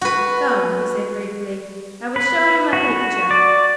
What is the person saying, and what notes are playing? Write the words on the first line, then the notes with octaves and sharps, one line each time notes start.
"Come," he said briefly, "I will show you my picture."
F#4 B4
B4
F#4
D5